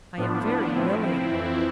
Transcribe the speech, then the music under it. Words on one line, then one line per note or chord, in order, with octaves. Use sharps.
"I am very willing."
A2 F3 B3 D4
B3 D4
A2 F3 C4 E4
F2 E3